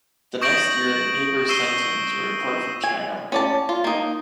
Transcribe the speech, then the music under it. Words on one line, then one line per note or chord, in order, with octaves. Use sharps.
The next year the papers sent him to report from China.
C#6 D#6 G6 A#6 D7 F#7
C#6 E6 C7 D#7 G7
G#5
C#4 D5 A5
F4
A#3 D#4